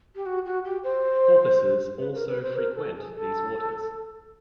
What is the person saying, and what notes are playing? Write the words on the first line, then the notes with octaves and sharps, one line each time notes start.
Porpoises also frequent these waters.
G4
F#4
F#4
G4
C5
B4
A#4
B4
C5
A#4
A4
G#4
A4